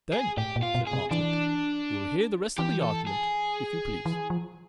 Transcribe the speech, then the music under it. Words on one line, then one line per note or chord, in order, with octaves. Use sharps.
"Then," said Marchmont, "we will hear the rest of the argument, if you please."
G#4
A2 G4
A#2
F4
B2
G#4
C3
E3 D4
E3 G4
A4
G#4
E3
F3